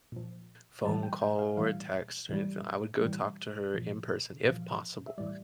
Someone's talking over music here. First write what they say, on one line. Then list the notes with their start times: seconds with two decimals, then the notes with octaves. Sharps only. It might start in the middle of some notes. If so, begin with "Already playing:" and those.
phone call or a text or anything, I would go talk to her in person, if possible,
0.12 A#2 F3
0.84 A2 E3 G3 A5
1.03 G5
1.21 G5
1.39 F5
1.57 A2 E3 G3 F5
2.29 A2 E3 G3
3.01 A2 E3 G3 G5
3.74 A#2 F3
4.45 A#2 F3 F5
5.07 E5
5.18 A2 E3 G3 D5